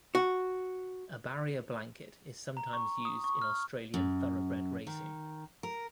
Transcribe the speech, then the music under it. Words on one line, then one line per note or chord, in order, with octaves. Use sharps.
A "barrier blanket" is sometimes used in Australian Thoroughbred racing.
F#4
A#5
C#6
D#6
C#6
F6
F#2
D#3
A#4